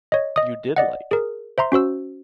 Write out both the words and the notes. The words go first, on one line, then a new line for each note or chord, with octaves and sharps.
You did like.
C#5 D#5
D#5 D#6
D5 D#5 F#5
G#4 A#4
C5 E5 A#5 C6
C#4 F#4 C5 E6